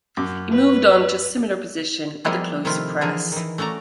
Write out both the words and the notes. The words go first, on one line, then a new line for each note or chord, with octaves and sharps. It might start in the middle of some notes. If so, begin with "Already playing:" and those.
He moved on to a similar position at the Cloister Press.
F#2 D6
B4
F3 G3 A#3 B3 E4 G#4
C3 D#3 F3 A3 E4 F4
D3 E3 F3 G#4 A#4
D#3 E3
A3 C#4 F#4 D5 A#5